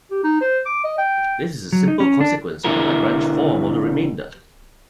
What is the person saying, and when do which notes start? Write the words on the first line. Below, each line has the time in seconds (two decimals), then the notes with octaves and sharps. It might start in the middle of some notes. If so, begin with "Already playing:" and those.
This is a simple consequence of the Lagrange form of the remainder.
0.11 G4
0.24 D#4
0.41 C5
0.66 D6
0.84 D#5
0.98 G5
1.73 F#3
1.88 D#4
2.00 C#4
2.21 D4
2.64 B2 D3 E4 F#4 A#4